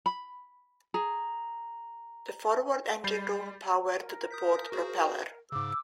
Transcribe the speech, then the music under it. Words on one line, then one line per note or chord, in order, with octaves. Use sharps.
The forward engine room powered the port propeller.
B5
G#4 A#5
G3 B5 G6 A6 C7
A#4
D#6 G6 B6
F#4 G#4 C5
G#2 C#3 D6 E6